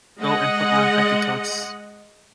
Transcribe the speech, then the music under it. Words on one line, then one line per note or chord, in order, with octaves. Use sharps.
Go and put on petticoats.
G#3 D#5 F#5